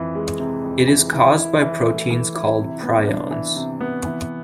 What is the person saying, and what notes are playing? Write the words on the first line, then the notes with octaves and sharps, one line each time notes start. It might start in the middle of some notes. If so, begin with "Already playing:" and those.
It is caused by proteins called prions.
Already playing: F2 E3
G#3
C3
F2
E3
E3
E4
E3
A3
E3
E4
C3
B3
D4
E3
C3
B3
E3